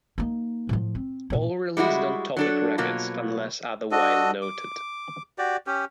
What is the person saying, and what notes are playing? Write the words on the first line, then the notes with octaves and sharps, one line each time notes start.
All released on Topic Records unless otherwise noted.
A#3 D#4
A2 F3
C4
A#2 D4
G3 G#3 E4 F#4
F#3 D4 A4
B2 F#3 A#3 F4
D4 F#4 A4 D#5
D6
F#4 G4 D5
C#4 G4